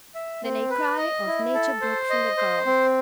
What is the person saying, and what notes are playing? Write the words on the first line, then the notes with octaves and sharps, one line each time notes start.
Then a cry of nature broke from the girl.
E5
C4
B4
D#5
E4
A4
C5
D#5
C5
C4